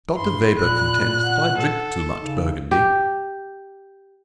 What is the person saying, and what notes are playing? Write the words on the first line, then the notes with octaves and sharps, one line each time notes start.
Dr. Weber contends that I drink too much Burgundy.
G2 B5 C6
A#2 F#6
F#5
A4
C#3 D#4
G4